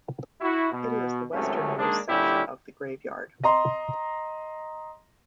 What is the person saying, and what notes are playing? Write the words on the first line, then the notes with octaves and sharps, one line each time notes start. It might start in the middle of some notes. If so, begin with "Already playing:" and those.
It is the western-most section of the graveyard.
E4 F#4
B2
G#1 C#2 F#2 C3 A3 C#4
D#3 G#3 A#3 D4
A#2 D3 G3 C#4 E4 G4
D#5 A#5 C6